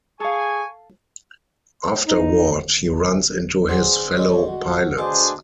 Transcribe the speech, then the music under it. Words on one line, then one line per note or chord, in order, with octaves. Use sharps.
Afterward, he runs into his fellow pilots.
G#4 A4 F5 G#5 C#6
D#4
B3 C4 D4 G#4
G3 G#3 C#5
F#4
D2 B2 D4 G#4 C5 D6